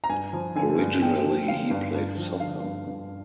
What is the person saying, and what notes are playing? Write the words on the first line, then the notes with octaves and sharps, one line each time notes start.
Originally he played soccer.
A#5
G2 G#5
F3
D3 G#5
G2
G2 G5
F3
D3 F5
G2
G2
F3
D3 F5
G2
G2